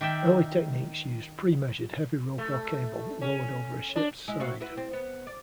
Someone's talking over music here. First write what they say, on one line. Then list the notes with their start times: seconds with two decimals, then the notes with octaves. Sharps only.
Early techniques used pre-measured heavy rope or cable lowered over a ship's side.
0.01 D#3 D5 E5 G5
2.38 A3
3.21 C#4
3.96 D4
4.28 G#3 E4
4.40 C3 F#4 F5
4.60 E4 F#4 B4
4.76 G3 C4
4.93 B3
5.27 D5